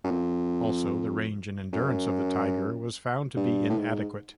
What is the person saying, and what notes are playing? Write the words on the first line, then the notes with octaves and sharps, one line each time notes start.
Also, the range and endurance of the "Tiger" was found to be inadequate.
F#2
F2
F#2
G2
A2
G#2